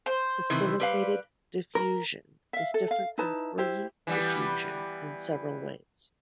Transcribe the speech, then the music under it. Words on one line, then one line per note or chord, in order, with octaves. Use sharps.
Facilitated diffusion is different from free diffusion in several ways.
C5
C3 D#3 E3
G3 B4 F5
A#4
E5 F5
A4
F5
D#4 E4 B4 A5
E4 G4 C5
E3 G3 B3